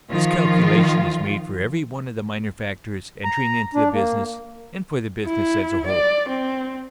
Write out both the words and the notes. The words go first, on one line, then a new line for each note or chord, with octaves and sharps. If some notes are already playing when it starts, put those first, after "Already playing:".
This calculation is made for every one of the minor factors entering into the business, and for the business as a whole.
D#3 F3 F4
A#5
D4
A#3
E4
D5
C4